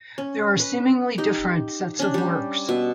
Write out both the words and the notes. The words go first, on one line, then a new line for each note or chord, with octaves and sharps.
There are seemingly different sets of works.
C#4
B4
D#4 G4
C#4 D4
G3 G4
B2 E5